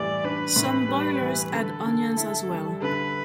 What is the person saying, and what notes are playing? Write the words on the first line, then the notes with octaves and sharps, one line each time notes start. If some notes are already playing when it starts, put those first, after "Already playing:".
Some boilers add onions as well.
Already playing: A2 E3 G3 D5
D4 B4
A2
G3
E3
D3 A4
D3
E4
G3
D3 B4